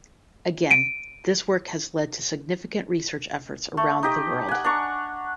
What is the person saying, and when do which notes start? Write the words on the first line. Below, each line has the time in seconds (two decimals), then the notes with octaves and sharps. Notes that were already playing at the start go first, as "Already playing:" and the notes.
Again, this work has led to significant research efforts around the world.
0.71 D7 D#7
3.77 A3
4.03 D#4 G4 D#5
4.49 F#5 G#5
4.64 D4 A#5 C#6